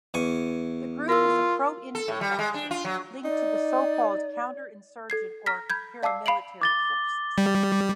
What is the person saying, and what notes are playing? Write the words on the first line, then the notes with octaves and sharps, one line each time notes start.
The group is a pro-Indian faction, linked to the so-called counter-insurgent or paramilitary forces.
E2 G#5 C#6
F4 A#4 E6
A4
A2
G3
G#3
D4
F4
F#3
D#4 D5
A4 G#6 C7
A#5 F6 A#6 B6
B5 G6 G#6
D5 F5 A5 D6 E6 C7
F5 B5 C7 D7 F#7
D6 A6 G7
G3